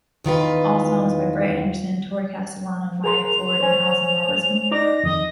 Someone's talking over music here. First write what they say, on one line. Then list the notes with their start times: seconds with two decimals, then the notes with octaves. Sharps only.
All songs by Brett Anderson, Torry Castellano, Maya Ford and Allison Robertson.
0.24 E2 D#3 F4 B4
3.04 G#4 A#4 C6 F7
3.59 C5 C#5 G#5
4.71 D#4 D5 D6 A#6
5.04 F2 D#3 D#5